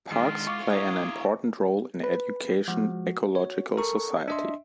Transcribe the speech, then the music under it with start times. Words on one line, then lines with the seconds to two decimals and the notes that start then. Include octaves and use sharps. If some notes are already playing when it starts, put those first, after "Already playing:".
Parks play an important role in education, ecological society.
0.12 D#3 G#3 D4 F4
0.47 E4 F5 C#6 D6
0.69 G#4 A#5
2.03 B4
2.68 F3 G#3 F#4
3.35 C#5
3.77 A4 A#4 C#6
4.28 D4 D#5 E5 C6